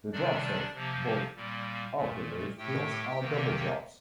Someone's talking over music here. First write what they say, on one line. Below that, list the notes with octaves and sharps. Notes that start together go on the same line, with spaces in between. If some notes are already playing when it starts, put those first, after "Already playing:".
The drops off both of the lift hills are double-drops.
C3 D#3 G3 D4 D5
C3 F3 A#3
A#2 G3 A#3
A#2 A3
A2 A3 G4 G5
C3 D#3 A#3